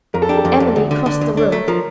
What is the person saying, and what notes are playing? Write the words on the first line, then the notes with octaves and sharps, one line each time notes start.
Emily crossed the room.
F2 A#4
A4
D4 G4
A4
F2 D5
F2
D2
D3
D3 D5
D2
D4 C#5
A3 A#4
F3 A#4